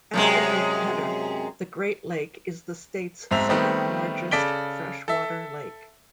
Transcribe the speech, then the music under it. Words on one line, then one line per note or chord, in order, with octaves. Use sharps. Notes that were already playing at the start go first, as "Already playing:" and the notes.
After Lake Pedder, the Great Lake is the state's second largest freshwater lake.
F#2 C3 G#3
B1 G#2 C4 E5 F7
D#3 G3 A3 B3 C4
C#3 A4 D5 B6 D7 G7
A4 E5